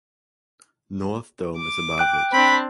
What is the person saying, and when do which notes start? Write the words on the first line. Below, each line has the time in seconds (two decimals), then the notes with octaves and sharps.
North Dome is above it.
1.57 D6
1.98 G5 F#6 D7
2.33 C4 D4 B5